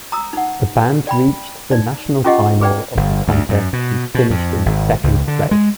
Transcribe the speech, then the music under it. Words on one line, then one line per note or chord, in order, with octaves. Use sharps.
The band reached the national final of the contest and finished in second place.
A#5 D#6 E6
D#4 F#5
D5 G5 B5
D#4 D5
C#4 F4 G4 G#4 D#5 F#5
G#4 B4 D5 G5
G1
D2
F#2
B2
B2
F2
G#1
C#2
D3
G#3